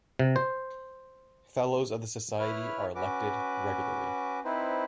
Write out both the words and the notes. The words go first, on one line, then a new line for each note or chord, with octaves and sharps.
Fellows of the Society are elected regularly.
C3
C5
E4 B4 C#5 F6
C#4 F#4 B4 D6
C4 D#4 E4 B4 C5